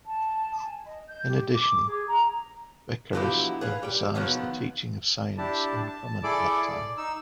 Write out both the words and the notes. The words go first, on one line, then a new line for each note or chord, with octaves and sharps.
In addition, Becheras emphasised the teaching of science, uncommon at that time.
A5
G#5
D#5
G6
G4
D6
G#4
A#5
D3 F3 F#3 B3 E4 G4
G#4 B4 F5
G3 G5
B2 D#3 F3 F#3 G#3 B3
D4 E4 G4 A5
A5
E4 G#4 A4 D5 D6
D5
D#4 E6